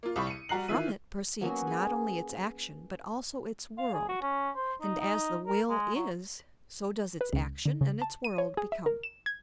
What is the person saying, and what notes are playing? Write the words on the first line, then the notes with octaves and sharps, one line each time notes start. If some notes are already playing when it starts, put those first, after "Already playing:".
From it proceeds not only its action, but also its world; and as the will is, so does its action and its world become.
A#3 F4
C2 G3 B5 C#6
C#7 D#7
G3 F#4 A#5 F#6 C7 F#7
D#3 E3 F4 E5 D#7
F#3 A#3 B3 C#4
G#4
F5
G#4
F#4
C#4
C5
D#4
D#4
A#4
G#3
F#3
B4
C#2
D3
C#3
A5
D#7
C#5
G#4
E5
A#4
E7
G#6